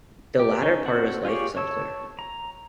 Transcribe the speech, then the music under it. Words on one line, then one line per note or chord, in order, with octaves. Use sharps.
The latter part of his life is unclear.
G4
C#4 D#4
C4 F#4 A4 C5 F#5
F4 G4 G#4 C#5 D5
C#5 A5 E6
A#5